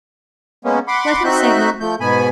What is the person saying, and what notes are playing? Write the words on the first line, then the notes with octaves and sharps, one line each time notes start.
"Let him signal."
G#3 A#3 B3 C#4
F#5 B5 C6 D6
C4 D#4 F#4 E5 F#6 G6
F3 A3 G6
G#2 B2 B3 G#5 B5